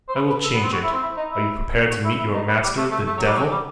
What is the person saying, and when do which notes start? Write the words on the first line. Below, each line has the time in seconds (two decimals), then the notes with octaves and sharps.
"I will change it: Are you prepared to meet your master, the Devil?"
0.08 C5
0.15 B4
0.30 B4
0.43 A4
0.54 B3
0.63 C4
0.72 F#4
0.83 E4
0.92 C4
1.02 E4
1.17 D#4
1.31 E4
1.90 F#4
2.04 E4
2.19 E4
2.34 D#4
2.48 B3
2.62 G3
2.77 A3
2.91 A3
3.06 A3
3.17 F#3
3.27 G3
3.36 F#3
3.51 G3